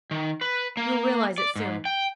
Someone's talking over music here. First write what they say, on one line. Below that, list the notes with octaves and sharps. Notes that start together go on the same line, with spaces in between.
You will realize it soon.
D#3
B4
A#3
D5
G#2
G5